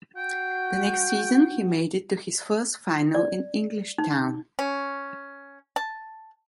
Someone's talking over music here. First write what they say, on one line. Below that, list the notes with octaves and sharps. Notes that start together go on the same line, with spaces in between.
The next season, he made it to his first final in Englishtown.
F#4 G5
D5
D#4
C#4
A5